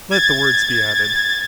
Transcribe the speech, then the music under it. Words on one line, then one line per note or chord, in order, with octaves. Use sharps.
Let the words be added.
G#6 A6